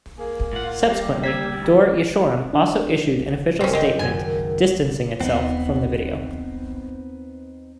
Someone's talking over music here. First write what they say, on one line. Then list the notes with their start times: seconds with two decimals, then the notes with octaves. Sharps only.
Subsequently Dor Yeshorim also issued an official statement distancing itself from the video.
0.18 A#3 G#4
0.53 A2 F4 F#5
0.89 G3 A#3 G4
1.24 A#3 E6 G#6 B6
1.54 D2 B2
2.53 D4
3.61 F#1 C4 C#4
3.73 G#3 G4
3.99 G#1 F#2 G#5
5.21 D#2 B3 C4 D#4